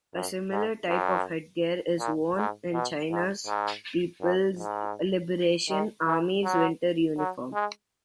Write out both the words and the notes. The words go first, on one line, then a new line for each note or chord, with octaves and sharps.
A similar type of headgear is worn in China's People's Liberation Army's winter uniform.
F#2
G#2
F#2
A#2
G#2
B2
G#2
G#2
F#2
G#2
D#3
E3
F#3
F#3
G#3